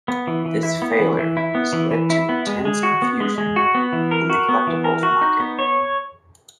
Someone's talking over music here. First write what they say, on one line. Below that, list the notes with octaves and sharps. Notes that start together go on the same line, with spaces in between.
This failure has led to intense confusion in the collectibles market.
B3
E3
E3
E4
B3
E3
E3
E4
B3
E3
E3
E4
B3
G#3
G#3
F#4
B3
G#3
G#3
F#4
B3
E3
A#4
F#4
B3
E3
A#4
F#4
D#4
B3
C#5